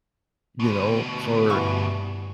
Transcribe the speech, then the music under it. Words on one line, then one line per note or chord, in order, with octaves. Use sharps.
you know, for
D2 B2
G2 E3 F#5 C#6